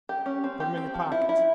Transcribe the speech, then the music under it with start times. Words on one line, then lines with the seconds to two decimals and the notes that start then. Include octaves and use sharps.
"Put 'em in yo' pockets."
0.09 G4
0.26 C#4
0.44 C4
0.60 G4
0.77 C4
0.94 F3
1.12 E4
1.29 E4